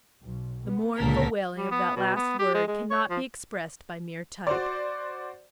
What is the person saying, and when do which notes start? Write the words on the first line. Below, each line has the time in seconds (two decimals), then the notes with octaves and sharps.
The mournful wailing of that last word cannot be expressed by mere type.
0.22 B1
0.67 B3
0.97 C#2 A#2 D3 A4 A#4 B6
1.58 G3
1.72 B3
1.96 B2
2.16 B3
2.39 G4
2.54 G#3
2.68 G#3
2.91 C#5
3.10 F3
4.47 F#4 C5 D5